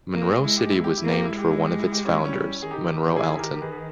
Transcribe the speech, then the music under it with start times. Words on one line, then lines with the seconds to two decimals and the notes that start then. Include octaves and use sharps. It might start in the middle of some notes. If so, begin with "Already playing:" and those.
Monroe City was named for one of its founders, Monroe Alton.
0.14 A#3
0.44 G#3 E4
0.57 G4
0.71 E4
0.84 G4
0.97 E4
1.04 A#3
1.11 G4
1.25 E4
1.35 G#3 G4
1.51 E4
1.65 G4
1.79 E4
1.92 G4
2.05 C#4 E4
2.25 G3 C#4 E4
2.62 G#4
2.71 D#3 D#4 G4
3.09 G4
3.16 E4 G#4
3.39 G4 A#4
3.61 G#4 B4